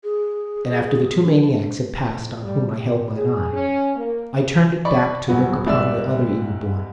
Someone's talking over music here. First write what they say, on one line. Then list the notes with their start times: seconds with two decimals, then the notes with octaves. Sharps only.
And after the two maniacs had passed On whom I held mine eye, I turned it back To look upon the other evil-born.
0.04 G#4
1.24 D4
2.08 F2
2.42 G3
2.76 G4
3.16 G#4
3.53 C#4
3.95 A#3
4.85 D5 B5 C#6
5.28 D#1 F#3 B3 F#4
5.66 C2 G#2 D5 E5 E6 E7